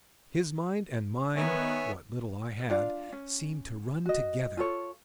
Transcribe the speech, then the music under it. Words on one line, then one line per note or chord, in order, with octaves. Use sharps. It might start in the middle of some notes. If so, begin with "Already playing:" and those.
His mind and mine--what little I had--seemed to run together....
D#3 B3 C#5 E5 G#5
D4 F4 D5 F5
C#4
F#4 D#5
F4 A4 C#5